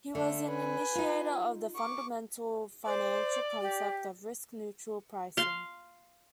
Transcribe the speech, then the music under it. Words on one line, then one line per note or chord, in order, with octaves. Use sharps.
He was an initiator of the fundamental financial concept of risk-neutral pricing.
D3 A3 E5
B4 G#5
D#4 F4
C#6 D6
C5 D5
G4
F5 C6